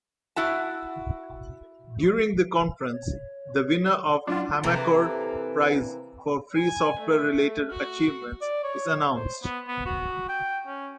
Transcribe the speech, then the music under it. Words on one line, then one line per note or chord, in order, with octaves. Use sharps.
During the conference, the winner of Hamakor Prize for free software-related achievements is announced.
E4 F#4 A5
C#5
F#3 D4 E4 F4 F#5
C3 E3 A#3 A4
G#5
A3
F#4
D5
C#5
C5
B3
B3
F#4
G5
C#4